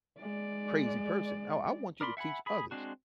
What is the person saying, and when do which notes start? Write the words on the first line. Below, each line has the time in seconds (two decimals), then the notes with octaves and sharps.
crazy person. I I want you to teach others
0.19 G#3 D5
2.01 A#4 D5 B5 C6
2.17 E5 F#5 G#5 B5
2.46 G#4 B5
2.71 G#3 C4 D4 F#4